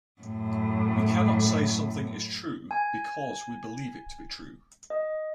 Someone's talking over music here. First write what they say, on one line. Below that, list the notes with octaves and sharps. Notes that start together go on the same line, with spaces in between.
We cannot say something is true, because we believe it to be true.
F#2 A2
G#5
D#5